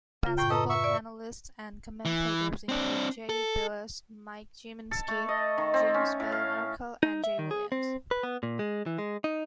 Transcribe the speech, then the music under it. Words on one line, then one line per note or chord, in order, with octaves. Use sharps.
Basketball analysts and commentators include Jay Bilas, Mike Gminski, Jim Spanarkel, and Jay Williams.
C#3 F4
F#2 A2 G5 C#6
A4 B4 D#5 A#5
E5 C#6
D5
E3
C4 D4
A4
A4
A3
D#5
D#3
C4
C#4
A2
F5
D#4
E5
D#3
G#4
C4
B4
B3
A#2
G#3
E3
G#3
D#4